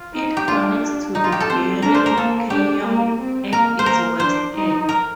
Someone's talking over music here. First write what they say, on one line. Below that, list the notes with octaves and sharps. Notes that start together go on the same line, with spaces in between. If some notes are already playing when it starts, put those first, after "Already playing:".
It connects to the Bering Canyon at its west end.
Already playing: F4
D#4
G4
D4 F4
D#4
F4
G4
A4
C4 C5
D4 A#4
C5
A#4
A#3 A4
D4 G4
A#3
C4
A#3 A#4
C5
A#3 A#4
D4 C5
D#4
A#4